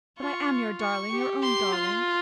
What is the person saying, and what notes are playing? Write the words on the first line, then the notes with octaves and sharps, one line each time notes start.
But I am your darling, your own darling.
F4 C#6
C#6
G4
C6
F4